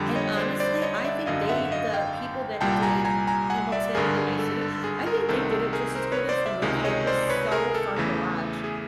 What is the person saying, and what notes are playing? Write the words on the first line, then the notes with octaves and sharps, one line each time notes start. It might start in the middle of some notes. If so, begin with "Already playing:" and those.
And honestly, I think they the people that did Hamilton in my city, I think they did it just as good as the movie, it was so fun to watch.
Already playing: F2 D3 G3
C#5 D#5
C5 D5
C5 D5
C#5 D#5
D5 E5
G#1 F#2 D3 D#5 F5
E5 F#5
D#5 F5
F5 G5
C2 A#2 G3 G5 A5
G#5 A#5
G#5 A#5
G#5 A#5
F#5 G#5
D5 E5
G#1 G2 D3 G#4 A#4
G#4
A4
A4
G#4
G#4 A#4
C2 C3 D#3 A4
A4
G#4 A#4
A#4 C5
B4 C#5
C5 D5
D5 E5
C#2 C3 D#3 G#3
C#5 D#5
C5 D5
B4 C#5
G#4 A#4
A4
E2 C#3 E3 A3
G#4